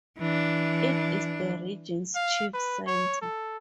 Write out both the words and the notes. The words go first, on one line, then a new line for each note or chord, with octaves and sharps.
It is the region's chief center.
E3 D4
F5
B4
C#5
A4